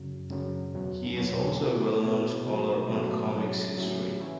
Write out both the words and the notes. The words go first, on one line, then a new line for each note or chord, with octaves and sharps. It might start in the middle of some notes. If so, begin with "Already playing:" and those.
He is also a well-known scholar on comics history.
Already playing: F#2 C#3 F#3
F#2 C#3 F#3
E2 B2 F#3
E2 B2 F#3
B2 B3 E4
B2 B3 E4
B2 F#3 A3
B2 F#3 A3
A2 F#3 C#4 E4
A2 F#3 C#4 E4
E3 C#4 E4